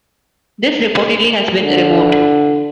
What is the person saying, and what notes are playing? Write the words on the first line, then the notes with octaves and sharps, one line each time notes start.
This reportedly has been removed.
D3